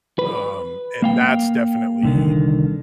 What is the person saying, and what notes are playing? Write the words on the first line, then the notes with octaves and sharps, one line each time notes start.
Um, and that's definitely
B4
A#3 F5 G5
C2 D3 D#3